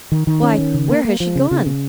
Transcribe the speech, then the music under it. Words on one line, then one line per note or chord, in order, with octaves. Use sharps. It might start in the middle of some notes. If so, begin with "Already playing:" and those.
"Why, where has she gone?"
D#3
D#3
C#4
D#3
C#3
A#3
A#3
F3
C#3
C#3
C#3